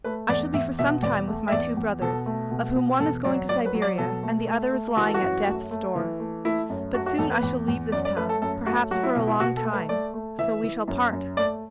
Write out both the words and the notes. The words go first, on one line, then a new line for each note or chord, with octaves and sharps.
I shall be for some time with my two brothers, of whom one is going to Siberia and the other is lying at death's door. But soon I shall leave this town, perhaps for a long time, so we shall part.
A3 B4
E2 D5
E2 E5
B2 E5
E2 D5
A3
E5
E2 D5
E2
B2 A4
A3
B2
B2
E2 A4
F#3 D5
F#3 D5
B4
F#3
D5
B2 A4
A3
A3
A3
E3 F#4
A4
F#4
F#2
A3
A3
E3
A3
A3 E4
F#2
A3 F#4
F#4
E2 A4
B4
E2
E2
F#2 D5
D5
A3 B4
A4
F#2 A4
A3 F#4
F#3 F#4
E4
B2
E4
B2 F#4
A4
A3
B4
A3 D5
A3
E3 E5
E3
F#2
F#2
A3 D5